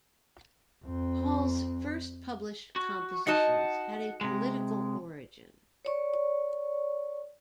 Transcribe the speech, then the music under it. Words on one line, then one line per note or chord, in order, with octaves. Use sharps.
Hall's first published compositions had a political origin.
F2 C4
F#4
D#4 F#4 D#5 F#5 A5
C3 G#3
C#5 D5 C#6